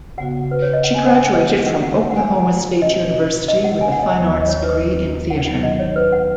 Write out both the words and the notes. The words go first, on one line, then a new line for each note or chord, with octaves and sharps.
She graduated from Oklahoma State University with a fine arts degree in theater.
C#3 B3 F#4 F#5
B4
C#5
D#5
F#5
G#5
F#5
D#5
D#3 G#3 B3 D#4 F#4 F#5
F#5
F#5
F#5
G#5
B2 G#3 C#4 F#4 D#5
D#5
F#5
G#5
F#5
D#5
D#2 D#3 F#3 B3 D#4
D#5
C#5
B4
F#5
D#3 F#3 B3 D#4 F#5
D#5
C#5
B4
F#5